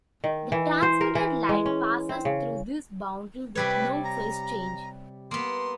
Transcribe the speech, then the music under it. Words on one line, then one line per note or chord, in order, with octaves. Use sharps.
The transmitted light passes through this boundary with no phase change.
D#3
E3
C5
A#4
E3
G#3
C#4
C4
C#3
C3 G3 B4 C#5
A#5
A#3 B3 C6